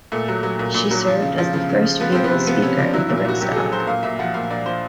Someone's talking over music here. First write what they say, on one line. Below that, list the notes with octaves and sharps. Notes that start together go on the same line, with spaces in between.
She served as the first female Speaker of the Riksdag.
A#2 A3
F#3
F#3
A#2
A#2
F#3
F3
C#3
F3
C#3
C#3
C#3
F3 B3
F3 C4
B3
C3
F3 B3
C3 C#4
F3 D4
F#3 E4
A#2 E4
F4
A#2 F#4
F#3 G4
A4
F#3 G#4
F#3 C5
A#2 F5
A#2 E5
F3 F#5
A#2 F5
A#2 D5
F3 C5